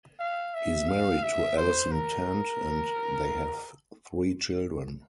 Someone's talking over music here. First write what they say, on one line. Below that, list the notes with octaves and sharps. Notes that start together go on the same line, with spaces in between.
He is married to Allison Tant and they have three children.
F5
E5
F5
E5
C5
A#4